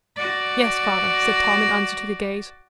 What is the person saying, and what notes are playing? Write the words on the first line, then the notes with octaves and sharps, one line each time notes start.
"Yes, father," said Tom, in answer to the gaze.
F#4 D5